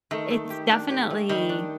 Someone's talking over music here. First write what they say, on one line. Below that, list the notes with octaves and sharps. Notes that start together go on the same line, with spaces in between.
It's definitely
D#3 A3
A3
G4
D4
G4
A3
D#3 G3
D4